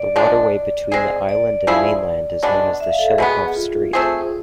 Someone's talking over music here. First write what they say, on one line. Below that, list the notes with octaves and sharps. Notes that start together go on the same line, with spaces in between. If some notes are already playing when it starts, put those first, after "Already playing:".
The waterway between the island and mainland is known as the Shelikof Strait.
Already playing: D5
F3 G#3 D4
G#3 C4 G#4
D5
F3 A3 E4 G#4
B2 G#3 D4
E5
F5
A4
G#4
B2 G#3 B3
F4
A3 C4 G#4